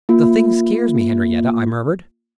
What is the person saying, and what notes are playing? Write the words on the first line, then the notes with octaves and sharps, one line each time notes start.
"The thing scares me, Henriette," I murmured.
A#3 F4